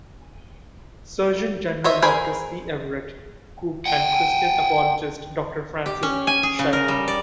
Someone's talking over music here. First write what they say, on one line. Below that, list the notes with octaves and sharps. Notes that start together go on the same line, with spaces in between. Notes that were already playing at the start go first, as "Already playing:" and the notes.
Surgeon General Doctor C. Everett Koop and Christian apologist Doctor Francis Schaeffer.
C5 C#5 D#5 E5
G#4 A#4 C5 G#5 B5
F#5 G5
G4
C#4
G#5
G#4
C#3
A#4
G3
D5